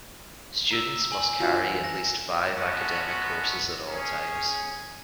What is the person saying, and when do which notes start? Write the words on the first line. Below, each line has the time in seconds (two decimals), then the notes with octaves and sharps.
Students must carry at least five academic courses at all times.
0.71 A#5 E6 F7
1.12 G#5 F#7
1.39 D4 F4 F#4
1.61 E3
1.84 A#6
2.53 G#3 A3 B3 C#4 F#4
3.89 C#4 G#4